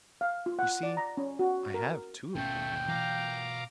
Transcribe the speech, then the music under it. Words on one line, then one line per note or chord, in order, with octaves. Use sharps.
You see, I have two of them now.
F5
F4
F#5
D5
A#5
C#4
F#4
A#4
G#1 B2 A3 C#4 F4 G5
E3 F5 A#5 D6